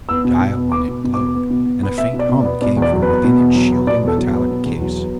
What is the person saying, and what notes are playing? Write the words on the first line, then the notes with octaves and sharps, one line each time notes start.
A dial on it glowed and a faint hum came from within its shielding metallic case.
B3 E6
B2
B2
B3
B3 D6
B2
B2
D6
B3
B3
B2
B2
B3
B3 E5
B2
D5
B2
D5
B3
B2 D5
E2
D5
F#3
B4
B3
B2
E2
F#3
B3
B2 D5
E2 A4
F#3
B3
B2
E2
F#3
B3